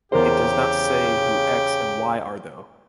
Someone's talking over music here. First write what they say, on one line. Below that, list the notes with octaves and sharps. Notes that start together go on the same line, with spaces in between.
It does not say who X and Y are though.
E2 C#3 G4 A#4 C5